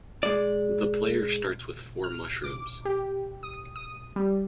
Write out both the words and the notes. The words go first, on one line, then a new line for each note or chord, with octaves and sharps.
The player starts with four Mushrooms.
G#3 D5
F6
D6
G4
D#6
D#6
G3